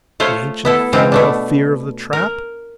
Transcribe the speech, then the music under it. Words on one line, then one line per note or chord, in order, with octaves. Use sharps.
The ancient female fear of the trap?
A3 F4 C5 C#5
B3 E4 A4
B2 E3 G#3 C4 F4
B2 A3 D4
A#4